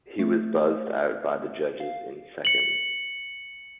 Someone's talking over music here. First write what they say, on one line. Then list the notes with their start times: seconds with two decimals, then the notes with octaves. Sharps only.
He was buzzed out by the judges in seconds.
0.19 A3
1.80 F5
2.45 C#7 F#7